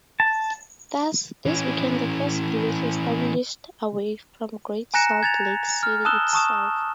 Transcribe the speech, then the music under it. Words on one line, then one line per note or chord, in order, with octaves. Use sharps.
Thus, this became the first village established away from Great Salt Lake City itself.
A5
E3 C#4
G#5 A#5 F#6 A#6 C#7 E7
G#6 A6 F7
F6
A5 D#6 E6 F#6 E7 G7
A5 C#6 D#6 E7